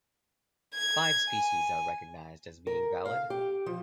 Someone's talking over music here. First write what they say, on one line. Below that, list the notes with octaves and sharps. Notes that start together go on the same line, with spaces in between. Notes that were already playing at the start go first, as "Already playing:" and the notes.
Five species are recognized as being valid.
G#6
G#5
A#4
F5
G4
F3